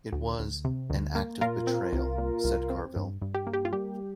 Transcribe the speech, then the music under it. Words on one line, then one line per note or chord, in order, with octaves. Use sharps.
It was "an act of betrayal," said Carville.
D2
D2
C3
D2
A#3
A#2 F4 A#4
C4
C2
A#2
C2
C4
G2
G2
G4
A#3
G4
F4
G3 G4